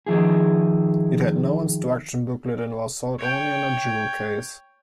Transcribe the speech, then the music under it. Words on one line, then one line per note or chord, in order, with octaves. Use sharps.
It had no instruction booklet and was sold only in a jewel case.
D#3 F3 E4 G#4
C#5 G5